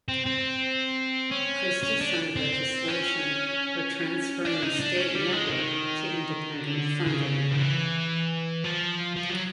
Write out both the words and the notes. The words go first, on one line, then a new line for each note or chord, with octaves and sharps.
Christie signed legislation for transferring the state network to independent funding.
C4
C4
C#4
C#4
D4
C4
C#4
D4
D#4
D4
C#4
G3
G#3
D#3
D3
C#3
D#3
E3
F3
F3
F#3